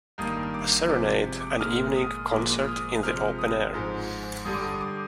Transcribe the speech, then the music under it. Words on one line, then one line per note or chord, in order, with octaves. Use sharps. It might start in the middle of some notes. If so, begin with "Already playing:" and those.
A serenade an evening concert in the open air.
G2 D#3 A#3 D#6
D6
C3 F3 G#3 D6
D6
D#6
A#2 G#3 F6
D#6
A#2 F3 G#3 D6
F6
D#6
C3 F3 G#3 F6
D#6
G#2 F3 G#3
G2 D3 G3 D#6
D6
D#6
D6